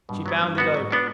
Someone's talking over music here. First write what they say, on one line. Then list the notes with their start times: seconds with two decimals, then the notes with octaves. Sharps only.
She bounded over.
0.09 G2 B2
0.26 F#3 B3 E4
0.41 G2 F#3
0.58 B3 D4 F#4
0.74 G#2 F#3
0.91 B3 D4 F#4